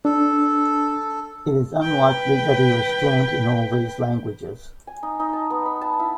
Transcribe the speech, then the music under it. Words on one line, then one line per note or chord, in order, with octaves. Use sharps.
It is unlikely that he was fluent in all these languages.
D4 A4
B4 G5
G#5
D#4
D#4
A5
B3
B5
A5
E4